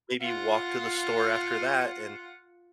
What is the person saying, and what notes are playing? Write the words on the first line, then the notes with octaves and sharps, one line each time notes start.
maybe walk to the store after that and,
F4 F#5